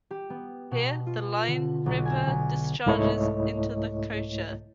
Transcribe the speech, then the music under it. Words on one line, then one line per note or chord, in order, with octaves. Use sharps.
Here the Lein river discharges into the Kocher.
G4
B3
B2
F4
D3
B1
G#5
B1
C2 G#2 A3 E4 C#5 D#5